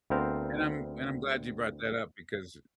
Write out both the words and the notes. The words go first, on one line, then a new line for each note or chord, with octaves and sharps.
And I'm and I'm glad you brought that up, because i
D2 B3 C4 A#4 C5 F5